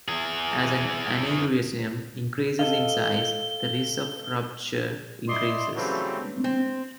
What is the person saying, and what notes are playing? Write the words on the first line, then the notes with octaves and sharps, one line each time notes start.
As an aneurysm increases in size, the risk of rupture increases.
E3 G#4
A4 D#5 F5 G7
E4 D5 D#5 C6
C#3 E3 F#3 G3 A3 C4
C4